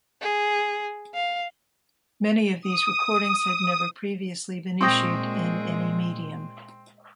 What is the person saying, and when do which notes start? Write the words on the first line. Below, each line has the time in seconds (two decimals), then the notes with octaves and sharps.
Many of these recordings had never previously been issued in any medium.
0.21 G#4
1.14 F5
2.62 D#6
4.81 A#2 G#3 C4 G5 C#6 D#6 A#6